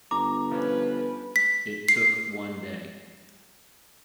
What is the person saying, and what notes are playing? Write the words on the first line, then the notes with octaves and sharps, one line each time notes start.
It took one day.
G1 A#5 D6
F3 C#4 B4
B6
C7